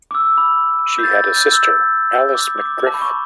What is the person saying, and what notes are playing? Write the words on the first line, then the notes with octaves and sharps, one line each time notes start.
She had a sister, Alice McGriff.
D6
E6
B5
G6
A6
A6
G6
E6
D6
D6
D6
A5
B5
C#6